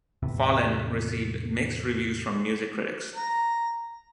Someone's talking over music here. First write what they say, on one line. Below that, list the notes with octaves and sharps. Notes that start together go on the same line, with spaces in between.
"Fallen" received mixed reviews from music critics.
E2 A2 C3
A#5